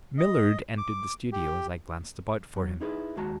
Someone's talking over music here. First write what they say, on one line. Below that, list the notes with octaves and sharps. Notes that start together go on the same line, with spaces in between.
Millard entered the studio as I glanced about for him.
D#5
D6
G4
F#3
D#4 E4 G#4 B4
D#2 G#3 F#4 A5 A#5